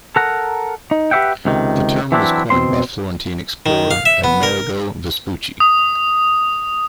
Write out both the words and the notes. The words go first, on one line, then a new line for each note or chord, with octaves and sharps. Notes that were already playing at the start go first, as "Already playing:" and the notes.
The term was coined by Florentine explorer Amerigo Vespucci.
A4 A#4 F#5 A#5
D#4
G4 B4 D5 E5 F#5 G5
C#2 C3 D#3
E3 F#3 C4 D4 E4
B2 C4 C6
D#3
F5
E5
B3
A#4
D#6